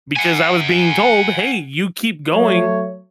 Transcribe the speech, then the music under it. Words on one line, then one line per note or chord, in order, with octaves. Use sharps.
because I was being told, "Hey, you keep going.
F#5 G#5
F#3 A3 C#5